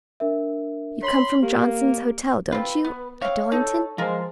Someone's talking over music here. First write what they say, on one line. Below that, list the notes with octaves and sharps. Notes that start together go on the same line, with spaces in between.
'You come from Johnson's Hotel--don't you--at Dollington?'
D4 A#4 E5
C#5 B5 C6 F#7
A#3 G4
C4 F4 B4
B3
C4 C#5 F5
D#4 A4
F3 G#3 F4 A#4 C5